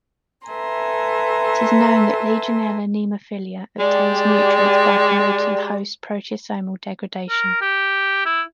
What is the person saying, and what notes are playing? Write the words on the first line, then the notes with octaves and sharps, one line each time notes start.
It is known that "Legionella pneumophila" obtains nutrients by promoting host proteasomal degradation.
A4 B4 E5 G#5 A#5 C6
G#3 G4 D5
A#4
G4
E4